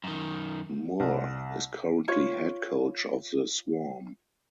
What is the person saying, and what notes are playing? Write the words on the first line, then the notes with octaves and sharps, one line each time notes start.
Moore is currently head coach of the Swarm.
F#2 D#3
C2
F4 C#5